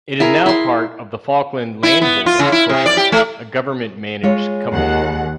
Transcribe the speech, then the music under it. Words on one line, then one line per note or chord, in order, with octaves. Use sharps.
It is now part of the Falkland Landholdings Corporation, a government-managed company.
E4 G#4 A#4
E4 C6
E4
B3
F4
C#3
E4
C3
D5
G4
A3
G#3 F4 C#5
D#2 F#5